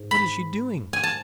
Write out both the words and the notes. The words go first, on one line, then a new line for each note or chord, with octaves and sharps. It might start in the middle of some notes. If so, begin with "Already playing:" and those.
What is she doing?
Already playing: G#2
B5
G#5
A5